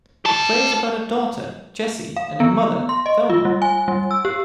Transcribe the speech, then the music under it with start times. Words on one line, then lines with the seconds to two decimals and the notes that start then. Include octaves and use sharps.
The play is about a daughter, Jessie, and her mother, Thelma.
0.25 G4 A5
2.16 F5
2.40 B3
2.89 C6
3.06 D#5
3.30 F4
3.45 G3
3.62 G#5
3.88 G3
4.11 E6
4.25 G4